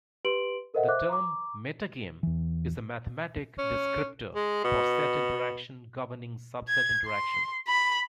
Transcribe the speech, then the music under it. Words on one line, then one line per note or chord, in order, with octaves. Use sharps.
The term "metagame" is a mathematic descriptor for set interaction governing subset interaction.
G4 B4 C6 D7 F#7
A4 A#4 C5 D#5 E5 F#5
C5 E5 D6 F#6
A#5 D6
E2 E3
C#4
G#3
B2
G#6
C6
B5